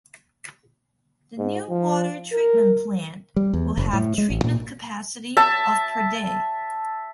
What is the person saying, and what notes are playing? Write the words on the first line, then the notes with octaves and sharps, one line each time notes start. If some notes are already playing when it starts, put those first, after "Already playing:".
The new water treatment plant will have treatment capacity of per day.
G#2
F3
A#4
G3
E2
F#1
A2
G#3
A1
A#2
E5 A5